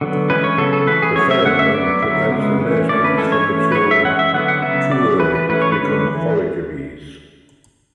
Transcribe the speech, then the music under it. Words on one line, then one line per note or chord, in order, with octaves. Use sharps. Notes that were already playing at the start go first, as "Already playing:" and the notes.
The pheromone prevents the nurse bees from maturing too early to become forager bees.
D3 F#3 B3
E3 G#3 C#4 B4
C#5
C#3 F#3 B3 A4
A4
E3 A3 C#4 B4
G#4
F#3 A3 C#4 C#5
E5
D3 A3 C#4 F#5
E5
F#3 B3 D5
D3 F#3 B3 E5
C#3 G#3 B3
E3 A3 C#4
D3 A3 C#4 D5
B4
E3 G#3 C#4 A4
C#5
E3 A3 C#4
B4
F#3 C#4 C#5
E5
E3 G#3 C#4 F#5
E5
D3 F#3 B3 F#5
F#5
C#3 F#3 B3 E5
F#3 C#4 D5
E3 B3 B4
B4
E3 A3 C#4 B4
C#5
B4
D3 G#3 C#4
E3